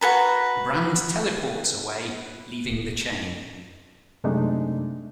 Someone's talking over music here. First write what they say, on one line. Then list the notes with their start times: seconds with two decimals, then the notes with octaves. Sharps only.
Brand teleports away, leaving the chain.
0.01 F#4 A4 B4 A#5
4.24 F#2 C3 G#3 A3 D4 D#4